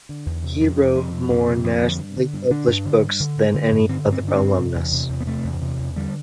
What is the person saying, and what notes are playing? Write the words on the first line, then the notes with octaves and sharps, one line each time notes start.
He wrote more nationally-published books than any other alumnus.
D3
E2
C3
F2
C3
F2
C3
F2
C3
F2
D3 F3
G2
D3
G2
D3 D4
G2
D3
G2
D3
G2
D3
G2
D3 C4
G2
C4
D3 D4
C4
G2
C3
E2
C3
E2
B3
C3 A3
E2
C3
E2
D3 G3